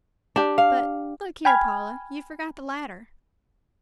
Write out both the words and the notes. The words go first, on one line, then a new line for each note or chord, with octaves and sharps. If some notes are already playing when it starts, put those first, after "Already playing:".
But, look here, Paula, you forgot the ladder.
D4 G4
F5
G5 G#5 B5 F6 G#6